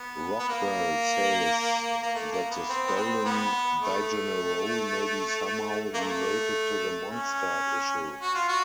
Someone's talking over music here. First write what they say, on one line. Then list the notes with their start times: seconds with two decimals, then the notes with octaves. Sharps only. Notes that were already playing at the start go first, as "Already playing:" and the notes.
Rockwell says that the stolen Digenerol may be somehow related to the monster issue.
Already playing: B3
0.39 B3
0.49 A#3
2.02 A#3
2.15 A3
2.32 A#3
2.51 B3
2.69 C4
2.87 B3
2.97 C4
3.25 B3
3.80 A3
5.94 A#3
6.00 A3
7.11 C#4
8.21 F#4
8.35 F4
8.49 F#4